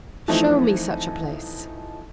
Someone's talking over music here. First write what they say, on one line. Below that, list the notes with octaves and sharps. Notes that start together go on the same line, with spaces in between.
"Show me such a place!"
E3 F3 A3 C4 D#4